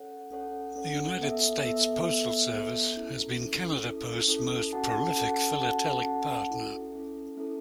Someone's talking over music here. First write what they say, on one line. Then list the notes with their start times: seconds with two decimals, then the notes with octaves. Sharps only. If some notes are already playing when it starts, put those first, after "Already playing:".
The United States Postal Service has been Canada Post's most prolific philatelic partner.
Already playing: C#4 A4 C#5 F#5
0.31 C#4 A4 C#5 F#5
0.76 C#4 A4 C#5 F#5
1.20 B3 A4 E5
1.64 B3 A4 E5
2.07 B3 A4 E5
2.51 B3 A4 E5
2.96 C#4 E4 A4
3.40 C#4 E4 A4
3.84 C#4 E4 A4
4.28 C#4 E4 A4
4.73 C#4 F#4 A4 F#5 A5
5.16 C#4 F#4 A4 F#5 A5
5.60 C#4 F#4 A4 F#5 A5
6.04 C#4 F#4 A4 F#5 A5
6.49 C#4 E4 A4
6.92 C#4 E4 A4
7.37 C#4 E4 A4